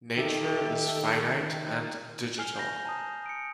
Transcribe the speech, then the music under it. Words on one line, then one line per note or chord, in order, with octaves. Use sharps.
Nature is finite and digital.
D#3 G4 A4 E5
G#5 F6 C7 F7 G7
G6 A#6
A5 A#5 D#6
C#7 D7